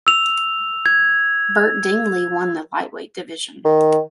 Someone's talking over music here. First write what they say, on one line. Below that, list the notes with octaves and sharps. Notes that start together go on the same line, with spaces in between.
Bert Dingley won the lightweight division.
E6 F7
G#6
D#3